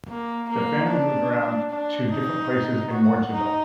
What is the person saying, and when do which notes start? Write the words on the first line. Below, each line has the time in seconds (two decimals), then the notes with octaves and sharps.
The family moved around to different places in Morgedal.
0.09 A#3
0.49 A#3
0.89 D4
1.70 D4
2.11 D#4
2.91 F#4
3.33 D#4